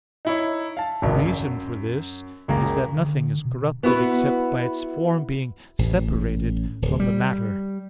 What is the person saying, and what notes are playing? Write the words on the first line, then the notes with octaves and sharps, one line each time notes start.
The reason for this is, that nothing is corrupted except by its form being separated from the matter.
D#4 E4 C#5
F5 A5
D1 G#1 C#2 D#5
F#2
F#1 C#2 G#3 A#3 A#5
D3
B2
B3 E4 F#4 B4
A1
D1
G3